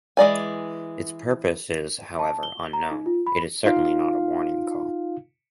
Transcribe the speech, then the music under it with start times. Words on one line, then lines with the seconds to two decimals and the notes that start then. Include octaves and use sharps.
Its purpose is, however, unknown; it is certainly not a warning call.
0.17 E3 G#3 D5 G#5
2.19 A5
2.43 G7
2.73 A#5
2.91 D#4
3.06 F4
3.27 B5
3.65 D#4 F4 F5